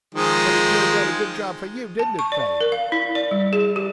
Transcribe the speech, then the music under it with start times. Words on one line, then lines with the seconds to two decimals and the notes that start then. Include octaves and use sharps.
But it turned out a good job for you; didn't it, Fagin!
0.15 D#3 F3 G#3
1.99 A5
2.19 C#6
2.32 D5
2.61 A#4
2.72 F5
2.92 E4
3.15 D5
3.31 G3
3.53 G#4
3.76 G4